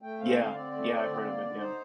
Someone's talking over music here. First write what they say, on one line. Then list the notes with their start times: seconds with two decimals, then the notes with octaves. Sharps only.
Yeah, yeah, I've heard of it, yeah.
0.02 A3 G5
0.20 C4 F5
0.29 G5
0.37 D3 F5
0.54 C4 D5
0.71 A3
0.90 C4
1.06 D3
1.24 A#3
1.41 D3
1.59 D#4 C5